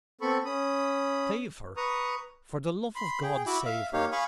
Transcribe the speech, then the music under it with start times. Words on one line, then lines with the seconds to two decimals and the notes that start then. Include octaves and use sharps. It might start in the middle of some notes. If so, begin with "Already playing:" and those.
'Save her! for the love of God, save her!'
0.21 B3 C4 A4 B5 C#6
0.45 C#4 B5 D#6
1.77 B4 A#5 C#6 D#6
2.96 B5 C6
3.23 G#4 G5
3.47 E4 F#4 E5 B5 D6
3.65 E5 F5
3.93 A#3 D#4 G4 C#5 F5
4.12 F5 G#5 B5 C#6 D#6